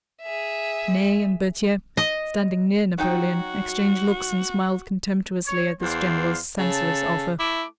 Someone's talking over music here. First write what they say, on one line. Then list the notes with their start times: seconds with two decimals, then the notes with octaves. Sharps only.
Ney and Berthier, standing near Napoleon, exchanged looks and smiled contemptuously at this general's senseless offer.
0.22 G#4 E5
1.97 D#5
2.98 F#3 D#4 F#4 G5
5.45 C#5
5.81 E2 C5 D5 F5
6.58 C#3 A4 A5
7.39 A3 E4 D6